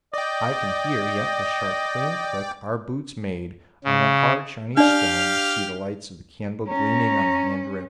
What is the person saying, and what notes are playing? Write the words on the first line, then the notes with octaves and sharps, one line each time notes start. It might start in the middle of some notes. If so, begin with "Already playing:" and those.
I can hear yet the sharp clean click our boots made on that hard shiny stone--see the lights of the candle gleaming on the handrail ...
D5 D#5 G5
C#3
D4 G4 D5 F5 F6
C#4 A#5